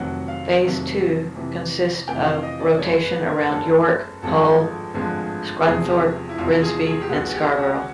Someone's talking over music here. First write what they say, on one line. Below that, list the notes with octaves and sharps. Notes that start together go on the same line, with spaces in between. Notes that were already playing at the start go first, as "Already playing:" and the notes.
Phase two consists of rotation around York, Hull, Scunthorpe, Grimsby and Scarborough.
Already playing: F1 F2 C3 D#3 F#3 F#5
F5
F1 F2 C3 D#3 F#3
F2 C3 E3
F2 C3 E3 G5
F5
D#5
D5
G1 F#2 C#3 C#5
B4
A#4
G1 F#2 C#3 A4
G#1 G2 D3 F3 G#3 A4
G#1 G2 D3 F3 G#3
E1 E2 C3 F3 G#4
G4
E4
E1 E2 C3 F3 F4
G#4
G#4
G4
C#2 B2 G#3 F#4
G4
F#4